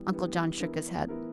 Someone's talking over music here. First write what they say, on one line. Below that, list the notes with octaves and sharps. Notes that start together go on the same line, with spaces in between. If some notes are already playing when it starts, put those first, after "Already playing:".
Uncle John shook his head.
Already playing: E3 G3 B3
E3 G3 B3
E3 B3 E4 A#4
E3 B3 E4 A#4